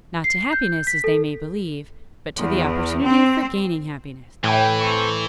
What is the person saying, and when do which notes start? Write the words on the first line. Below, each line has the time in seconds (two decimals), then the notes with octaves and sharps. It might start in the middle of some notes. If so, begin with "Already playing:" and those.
Not to happiness, as they may believe, but to the opportunity for gaining happiness.
0.24 C7
0.53 G6
0.87 B6
1.04 A4
2.39 E2
3.04 C4
4.44 A2 E3 G5
4.81 C4 A4 C#6